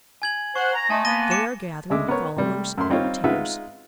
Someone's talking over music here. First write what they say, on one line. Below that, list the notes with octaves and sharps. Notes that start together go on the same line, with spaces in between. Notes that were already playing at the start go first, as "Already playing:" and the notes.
They are gathering followers and imitators.
G#5 G#6 F#7
C5 F#5 C#6
A#5
A3 D#5 G#5 A5 C6
A#3 B3 A#6 D#7 G7
D6 C#7 E7
D2 C#3 G#3 E5 D6
B3 A#4 C#5
C3 G3 A3
F#2 C6
G3 C4 D#4 F4 C#5
G#3 D#4 F4 B4 E5 F#5